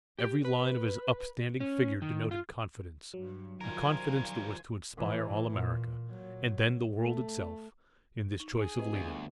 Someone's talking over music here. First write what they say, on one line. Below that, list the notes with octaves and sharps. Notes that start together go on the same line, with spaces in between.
Every line of his upstanding figure denoted confidence--a confidence that was to inspire all America, and then the world itself, in this choice of leader.
G4
B4
C#4
D#3
F4
G2 F#3
D#3 F3 G3 F4 A#4 C5 G#5
A#2 E3
A#2
A#2 F#3
A3
D#4
G#4
C3 F4 B4 D#5
D2
G1